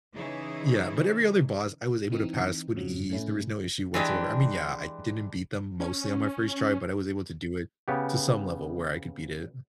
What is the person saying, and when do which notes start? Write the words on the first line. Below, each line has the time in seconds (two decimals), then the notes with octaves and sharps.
Yeah, but every other boss, I was able to pass with ease, there was no issue whatsoever. I mean, yeah, I didn't beat them mostly on my first try, but I was able to do it to some level where I could beat it.
0.13 C#3 E3 D#4 E4 G#4 C#5
2.12 E3 C4 D#4
2.75 F2 G#2 C#3 F3 F#3
3.10 A2 A3 C#4 E4
3.94 E3 G#3 D4 G4
5.80 C#4
7.88 C#3 B3 G4